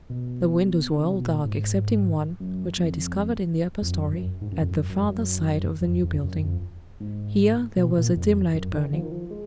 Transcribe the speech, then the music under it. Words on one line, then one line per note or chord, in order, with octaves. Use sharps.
The windows were all dark excepting one, which I discovered in the upper storey, at the farther side of the new building. Here, there was a dim light burning.
B2
D#3
C#3
B2
A#2
G#2
F#2
F2
F2
F#2
F#2
G#2
F#2
F2
F#2
F#2
F#2
F#2
F2
F2
F#2
F2
G#2
B2
A#2
F2
F#2
D#3
F3
D#3
F3
G#3